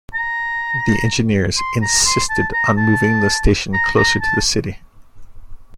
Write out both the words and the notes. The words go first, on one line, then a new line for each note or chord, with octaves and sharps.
The engineers insisted on moving the station closer to the city.
A#5
C6
A#5
C6
A5
A#5
A5
A#5
A#5
A5